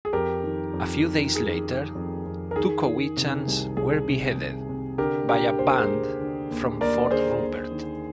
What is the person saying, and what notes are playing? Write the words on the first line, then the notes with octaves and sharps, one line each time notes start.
A few days later, two Cowichans were beheaded, by a band from Fort Rupert.
G#4
F2 G4 A#4
D#3
F2
D#3
D#3 G#4
D#3
F2
F2
A#4
D#3 G#4
D#3
C3
C2
C2 G#4
C3
C2
C3
D3 G4 A#4
D3 G4 A#4
D#2 C5
A#4
G#4 C5
D3
D3
D#2
D#2 A#4 D5
D3 G#4 C5
D#2
D#3